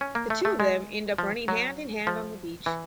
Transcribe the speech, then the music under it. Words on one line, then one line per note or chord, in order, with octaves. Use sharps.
The two of them end up running hand in hand on the beach.
C#4
A#3
A3
A3
G#3
F3
F#3
F3
E3